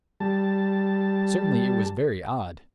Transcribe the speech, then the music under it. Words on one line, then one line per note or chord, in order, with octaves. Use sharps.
Certainly it was very odd.
G3 A5